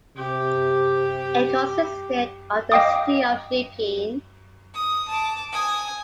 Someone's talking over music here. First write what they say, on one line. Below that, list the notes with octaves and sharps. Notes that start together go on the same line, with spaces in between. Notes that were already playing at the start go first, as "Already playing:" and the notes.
It consisted of the City of Nepean.
C3 G4
D#5 F5 G5 D6 D#6
D#6
A5 D6
G#5 D#6